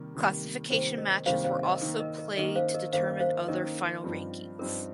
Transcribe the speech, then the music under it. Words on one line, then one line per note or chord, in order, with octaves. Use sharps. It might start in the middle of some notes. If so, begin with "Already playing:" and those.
Classification matches were also played to determine other final rankings.
Already playing: C3 D#3 G3 A#3
C3 D#3 G3 A#3
C3 D#3 G3 A#3 C5
A#4 D#5
C3 D#3 G3 A#3 C5 F5
C5 F5
A#4 D#5
D#3 A#3 D#4 A#4
A#4 D#5
A#4 D#5
D#3 A#3 D#4 A#4 D#5
C5 F5
A#4 D#5
D#3 A#3 D#4 C5 F5
C5 F5
D#3 A#3 D#4 A#4 D#5
G2 F3 C4 D#4
G2 F3 C4 D#4 A#4